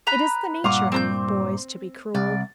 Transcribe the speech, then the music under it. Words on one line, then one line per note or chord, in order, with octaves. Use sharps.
It is the nature of boys to be cruel.
B4 A#5 B5
G2 A#2 F5 F#5
C4 A#5 G6
C2 D5